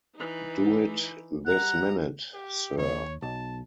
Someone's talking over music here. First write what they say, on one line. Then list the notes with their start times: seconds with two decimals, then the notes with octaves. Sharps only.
Do it this minute, sir!
0.15 E3 D#4
1.46 G3 F#5 A#5
2.34 G4
2.78 D#2 C#5
3.22 B1 A5